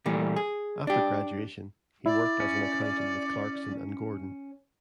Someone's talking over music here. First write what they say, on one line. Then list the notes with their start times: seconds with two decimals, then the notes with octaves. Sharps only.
After graduation, he worked as an accountant with Clarkson and Gordon.
0.06 A#2 E3 G3 A3
0.36 G#4
0.87 D4 G4
2.06 E4 D5
2.40 C#4